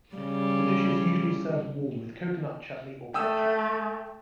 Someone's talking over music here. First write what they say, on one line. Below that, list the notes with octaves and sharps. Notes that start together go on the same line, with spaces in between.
The dish is usually served warm with coconut chutney or ketchup.
C#3 G3
A3 G5 D#6 E6